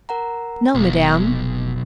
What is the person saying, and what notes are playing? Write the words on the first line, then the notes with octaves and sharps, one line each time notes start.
"No, Madame."
A#4 F#5 A#5
F1 B1 B3